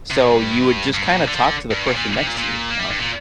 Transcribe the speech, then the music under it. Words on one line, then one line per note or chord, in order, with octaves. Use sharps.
so you would just kinda talk to the person next to you, you know?
C3
A#2
G2
G2
A#2
D3
F3
D3
G2
A#2
A#2
C3
A#2
A#2
A#3
G3
G2
A#2